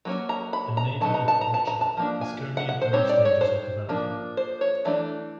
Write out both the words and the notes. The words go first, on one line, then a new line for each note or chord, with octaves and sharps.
A neighbourhood watch app is currently in early stages of development.
F#3 A#3 C#4
A#5
B5
A#5
F#3 B3 D#4 A5
A#5
A5
A#5
A5
A#5
A5
F3 A#3 D4
G#5
F#5
F#5
C5
G3 C4 D#4 C#5
D5
C#5
C5
F3 A#3 D4
C5
C#5
E3 A3 D4 D5